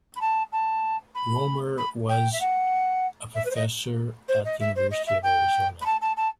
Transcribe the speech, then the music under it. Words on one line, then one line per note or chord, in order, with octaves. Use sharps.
Roemer was a professor at the University of Arizona.
B5
A5
A5
B5
B5
G5
E5
F#5
E5
B4
C5
D#5
C5
D#5
E5
C5
D#5
E5
G5
B5
A5
A5
A5